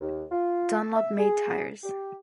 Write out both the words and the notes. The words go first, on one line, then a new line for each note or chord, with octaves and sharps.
Dunlop made tyres.
D#2
F4
E5
G#4
G4